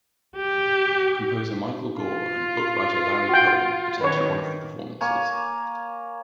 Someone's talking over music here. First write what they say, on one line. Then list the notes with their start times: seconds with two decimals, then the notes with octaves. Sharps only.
Composer Michael Gore and book-writer Larry Cohen attended one of the performances.
0.37 G4
2.01 F4
3.29 F#4 G5
4.01 D#3 B4 C#5
5.01 A#3 C#5 G#5